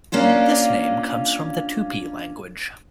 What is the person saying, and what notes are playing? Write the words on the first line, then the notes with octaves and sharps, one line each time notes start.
This name comes from the Tupi language.
A#3 C#4 D4 F4